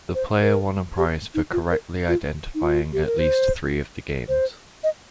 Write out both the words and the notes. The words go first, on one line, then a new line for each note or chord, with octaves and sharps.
The player won a prize for correctly identifying at least three of the games.
C5
A#4
G4
D#4
F4
A#4
F4
D#4
F4
G4
A#4
C5
C5
D#5